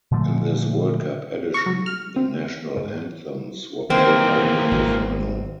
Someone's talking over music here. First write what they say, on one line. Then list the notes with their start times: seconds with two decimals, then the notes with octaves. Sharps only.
In this World Cup edition, the national anthems were played only in the final.
0.11 A#2 D3 F3 A3
1.54 C#6
1.66 F#3
1.86 F6
2.16 C4
2.77 G#2
3.90 D#3 E3 A#3 C4
4.71 G#1